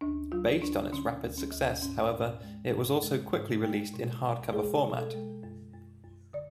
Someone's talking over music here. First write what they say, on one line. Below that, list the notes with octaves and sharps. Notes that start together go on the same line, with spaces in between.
Based on its rapid success, however, it was also quickly released in hard-cover format.
D2 D4
F#3 F4
D2 D4
D3 C#4
D2
C#4
D2
G#2 C#4
G#2
G#3
G#2
G#3
G#2
G#3
B2
B2
G#3 G#4
B2
A4
G#3
F#2
F#2
F#2
D3 D5